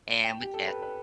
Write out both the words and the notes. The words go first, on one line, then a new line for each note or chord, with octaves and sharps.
And would just
G5
G4
A4
B4
B4